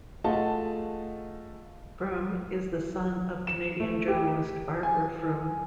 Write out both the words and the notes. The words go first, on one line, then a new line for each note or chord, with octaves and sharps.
Frum is the son of Canadian journalist Barbara Frum.
A3 F4 G#4 D#5 F#5 A5
E7
A3
G4
G#5